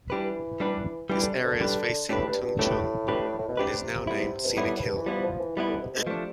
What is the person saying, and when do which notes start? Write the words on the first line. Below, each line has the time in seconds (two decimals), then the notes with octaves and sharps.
This area is facing Tung Chung and is now named "Scenic Hill".
0.10 E3 G3 D4 G4 B4
0.60 G3 D4 G4 B4
1.10 E3 G3 D4 G4 B4
1.22 D3
1.33 C3
1.44 D3
1.60 G3 D4 G4 B4
2.09 A2 A3 D4 G4 B4
2.25 G2
2.42 G2
2.58 A2 A3 D4 G4 B4
3.08 A3 D4 G4 B4
3.38 A2
3.48 B2
3.57 C3 A3 D4 G4 B4
4.07 G3 B3 E4
4.45 G2
4.57 A2 G3 B3 E4
4.76 A2
4.82 G2
4.97 E3
5.06 F3 G3 B3 E4
5.23 F3
5.40 E3
5.56 E3 G3 B3 E4
5.69 D3
5.77 B2
5.82 C3
5.94 B2
6.07 C3 F3 A3 D4